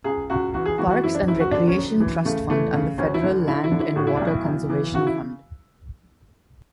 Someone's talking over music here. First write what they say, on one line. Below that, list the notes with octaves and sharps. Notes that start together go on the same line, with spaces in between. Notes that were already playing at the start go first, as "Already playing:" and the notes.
Parks and Recreation Trust Fund and the federal Land and Water Conservation Fund.
C#2 G#4
C#2 F#4
E3 F#4
G#4
E3 F#4
F#4
F#1 E4
D4
F#1 E4
F#4
D3 D4
C#4
F#2
E3
C#3 A3
E3 A3
C#3
D2 C#4
E4
D3
D3 E4
E4
D3
E4
A2 F#4
E4
B1 D4
E4
B1
E3
C#3 F#4
E4